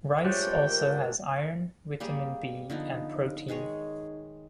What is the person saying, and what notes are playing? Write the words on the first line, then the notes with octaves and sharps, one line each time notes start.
Rice also has iron, vitamin B and protein.
G#3 A3 D4 F4 G4 C5 C#5 G5
A#4
G3 A#3 G4 G#4
D3 F3 B3 D#4
D#3 G#3 G#4 C#5